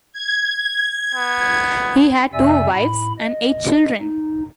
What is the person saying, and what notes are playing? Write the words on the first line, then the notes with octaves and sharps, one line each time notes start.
He had two wives and eight children.
G#6
B3
F2 C3 D5 E5 G#5 E6
A2 B5
D#5
D#4